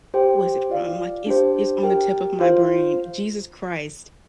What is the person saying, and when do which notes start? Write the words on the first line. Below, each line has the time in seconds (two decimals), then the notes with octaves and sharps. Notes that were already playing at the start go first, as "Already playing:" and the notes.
what was it from? Like, it's it's on the tip of my brain, Jesus Christ.
0.14 G4 C5 G5
0.70 F4 D5 F5
1.26 D4 G4 C5
1.83 G4 A#4 G5
2.40 F4 C5 F5